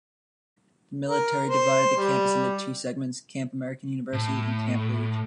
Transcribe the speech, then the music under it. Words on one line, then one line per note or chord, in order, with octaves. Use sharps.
The military divided the campus into two segments, Camp American University and Camp Leach.
A#4
C5
G3
A2